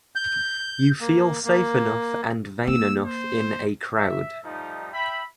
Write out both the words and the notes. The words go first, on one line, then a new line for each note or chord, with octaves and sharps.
You feel safe enough and vain enough in a crowd.
G6
A#3
A#3
A#3 E6
C5
E5
F3 G3 A3 D#4
E5 G5 B5